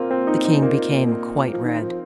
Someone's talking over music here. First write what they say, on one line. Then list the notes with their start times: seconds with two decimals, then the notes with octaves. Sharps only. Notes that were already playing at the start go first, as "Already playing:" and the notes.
The king became quite red.
Already playing: A#2 A#3 C4 F4
0.11 C4
0.27 D#4
0.45 D#4
0.62 A#3
1.53 F3
1.64 D#3
1.81 F3